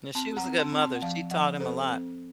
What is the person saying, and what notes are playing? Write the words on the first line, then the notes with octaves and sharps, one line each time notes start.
Yeah, she was a good mother, she taught him a lot.
C4 A5 C6
F#5 A#5
C4
A5 C6
C4
A5 C6
F#5
F3 F5 A5
F3 D#5 F#5
C4 A4 C5
C4